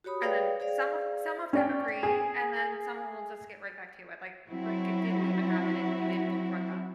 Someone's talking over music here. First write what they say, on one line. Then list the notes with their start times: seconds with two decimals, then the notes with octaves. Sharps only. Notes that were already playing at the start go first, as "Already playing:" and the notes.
And then some of some of them agree, and then someone will just get right back to it, like like it didn't even happen and you didn't confront them.
0.04 F#4 G4 C#5 B5 D#6
0.21 G#4 B4 C#5 D5 F5 G5
0.60 G#4 C5 D5 F5
1.53 C#4 D5 G5
2.03 G#4
4.49 F#3 C4 E4 F#4